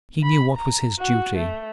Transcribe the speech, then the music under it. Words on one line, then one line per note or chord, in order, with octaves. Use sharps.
He knew what was his duty.
B5
A#5
F#4
A3